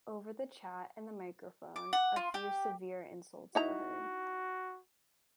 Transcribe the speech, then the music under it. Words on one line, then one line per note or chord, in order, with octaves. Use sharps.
Over the chat and the microphone a few severe insults were heard.
D6
F#5
F4
G4
D#4 E4 F#4 A#5